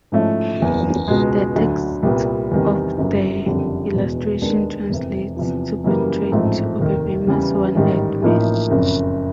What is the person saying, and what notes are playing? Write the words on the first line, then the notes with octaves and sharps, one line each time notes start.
The text of the illustration translates to Portrait of a famous one-eyed man.
G#2 F3 A3 C#4 E4
F#1 E2 C#3
C#2 B2 G#3
D2 D3 F#3
C2 A#2 G3 B3
E2 C3 D#3 G3
G1 F#2 C#3
F#1 F2 D3 G3
E1 E2 B2 G#3
D#2 D#3 G#3 B3 D4
F1 E2 C3
E2 C3 F3
F#2 C#3 E3 G3 A#3
A1 G#2 F3 A3 C4
F1 D#2 D#3
E2 C#3 E3 G3
A1 G#2 D#3 G3
A1 A2 F3 A#3 D#4
F#1 F2 C#3